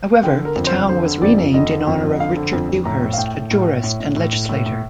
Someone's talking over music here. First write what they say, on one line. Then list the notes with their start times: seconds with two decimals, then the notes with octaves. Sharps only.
However, the town was renamed in honor of Richard Dewhurst, a jurist and legislator.
0.23 D3 G5
0.40 D3
0.45 A#4
0.56 F2
0.67 C5
0.73 F2
0.88 D3 C5
1.06 D3
1.22 F2 D5
1.38 F2
1.54 D3 D#5
1.71 D3
1.87 F2
2.04 F2
2.10 D#5
2.20 D3 F5
2.36 D3
2.53 F2
2.69 F2
2.85 A2 A#5
3.02 A2
3.13 F5
3.18 A2 G5
3.35 A2
3.51 A2
3.67 A2
3.84 A2
4.00 A2
4.16 A2
4.33 A2
4.49 A2
4.66 A2